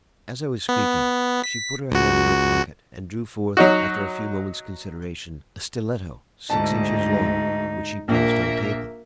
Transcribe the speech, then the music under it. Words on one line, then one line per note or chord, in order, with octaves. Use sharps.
As I was speaking, she put her hand in her pocket and drew forth, after a few moments' consideration, a stiletto six inches long, which she placed on the table.
B3
B6
C#2 F#4
F#3 D#4 F#4
D2 G#2 D#4 A5
A#1 A#3 A#4 E5